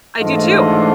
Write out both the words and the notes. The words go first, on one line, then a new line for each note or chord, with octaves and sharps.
I do too.
G#2 E3 A3 D4 F4 D#5